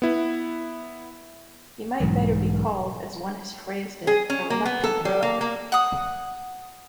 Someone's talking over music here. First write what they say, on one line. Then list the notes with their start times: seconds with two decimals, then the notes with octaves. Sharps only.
He might better be called, as one has phrased it, 'a reluctant rebel.
0.02 B3 E4
2.00 B1 G#2 E3 F#3
4.07 G#4
4.30 C#4
4.50 A#3
4.66 B3
4.84 A4
5.05 G3
5.22 A#3
5.41 A#3
5.72 F#5 D#6